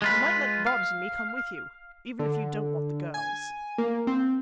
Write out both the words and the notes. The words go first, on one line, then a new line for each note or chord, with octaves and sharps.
You might let Bobs and me come with you - even if you don't want the girls.'
G#3 F4 B4
F5
D3
G#5
A#3
C4